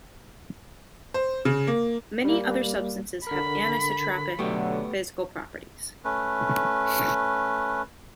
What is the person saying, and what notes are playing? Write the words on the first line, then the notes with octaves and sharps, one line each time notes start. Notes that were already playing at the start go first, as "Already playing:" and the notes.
Many other substances have anisotropic physical properties.
C5
C#3
A#3
G3 A#3
D3 A#4 B5
B2 D3 F#3 A3 B3 G4
A3 C#4 B4